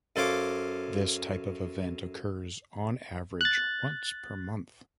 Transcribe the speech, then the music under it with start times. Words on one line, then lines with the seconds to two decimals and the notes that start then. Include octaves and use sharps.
This type of event occurs on average once per month.
0.16 F#2 A4 C5 C#5 F5 D6
3.41 F#6 A6